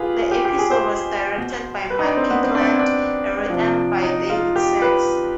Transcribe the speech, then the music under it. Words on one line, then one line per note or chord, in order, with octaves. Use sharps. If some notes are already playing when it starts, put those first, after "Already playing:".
The episode was directed by Mark Kirkland, and written by David Sacks.
Already playing: B2 F4 G4 G#4 B4
G4
G4
G#4
C5
B2
B4
D#4
D4
C4
B3
C4
D4
C4
D4
C3 F3
D#4
F4
G4
B4